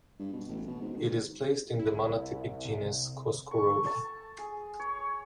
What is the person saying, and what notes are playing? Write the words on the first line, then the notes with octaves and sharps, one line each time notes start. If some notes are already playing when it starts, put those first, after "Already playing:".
It is placed in the monotypic genus "Coscoroba".
G2
B2
A1
B2
G#2
D#3
C2 E4
C3
C#6
A4
A5
G#4
C#5